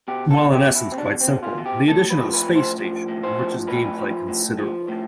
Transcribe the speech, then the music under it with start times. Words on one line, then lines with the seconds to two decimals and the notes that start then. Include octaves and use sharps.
While in essence quite simple, the addition of the space station enriches gameplay considerably.
0.08 B2 G4
0.30 A4
0.38 B2
0.53 G4
0.68 B2
0.75 E4
0.92 C4
0.98 B2 D4
1.21 C4
1.28 B2
1.43 F4
1.58 B2
1.66 G4
1.88 A2 A4
2.10 B4
2.18 F3
2.33 B4
2.48 A2
2.56 C5
2.78 F3
3.08 A2
3.23 C5
3.38 F3
3.68 A2 B4
3.98 F3
4.28 A2
4.58 F3
4.88 A2